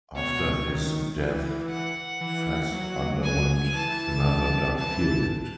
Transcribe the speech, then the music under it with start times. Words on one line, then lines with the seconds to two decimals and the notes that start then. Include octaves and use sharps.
After his death Fez underwent another dark period.
0.15 B2 C#5
0.67 D#3
1.18 E3
1.69 F#5
2.21 E3
2.72 F#3
3.23 G#5
3.74 E3 A5
4.77 E3 A5